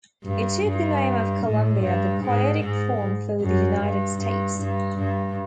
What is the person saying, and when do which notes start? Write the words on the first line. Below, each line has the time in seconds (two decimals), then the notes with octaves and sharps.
It took the name of Columbia, the poetic form for the United States.
0.24 G2
0.64 G2
1.43 A2
1.82 G2
2.22 G#2
2.61 G#2
3.40 F#2
3.79 G2
4.19 G2
4.59 G2
4.98 G2